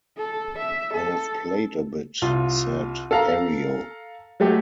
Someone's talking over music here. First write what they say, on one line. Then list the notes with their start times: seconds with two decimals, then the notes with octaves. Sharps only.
"I have played a bit," said Ario.
0.18 A4
0.59 E5
0.94 A4
2.22 C2 F4
3.11 A4 F5 A#5
4.40 F#3 G#3 A3 G4